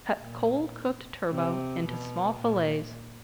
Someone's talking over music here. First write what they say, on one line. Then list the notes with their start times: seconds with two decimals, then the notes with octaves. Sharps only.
Cut cold cooked turbot into small fillets.
0.19 A#2
1.31 C3
1.86 B2
2.40 A#2